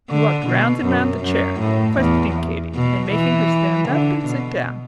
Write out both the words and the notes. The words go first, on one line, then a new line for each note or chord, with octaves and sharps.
He walked round and round the chair, questioning Katy and making her stand up and sit down.
D3
B2
F#2
F#2
A2
E2
B2
E3
D3
B2